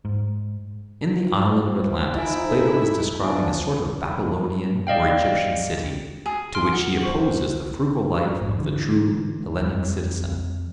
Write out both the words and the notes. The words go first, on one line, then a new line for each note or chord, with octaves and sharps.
In the island of Atlantis, Plato is describing a sort of Babylonian or Egyptian city, to which he opposes the frugal life of the true Hellenic citizen.
G#2
F3 D#5 C#6
F3 D#4 E4 D#5 E5 G#5
A4
B2 F3 D4 B4 E5 G#5
D5 D#5 F5 G5
G#4
C6 F6 D7
F#5
C5 C#6 F#7
A#1 F2 G#2
D3 E3
F2